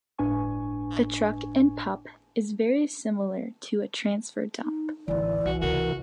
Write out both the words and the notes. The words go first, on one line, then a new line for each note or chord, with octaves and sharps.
A "truck and pup" is very similar to a transfer dump.
G1 A2 D4 B4 G#5 C#6
D#4
A1 D2 E3 D5
B1 F#4
C#2 C3 F#4 A#4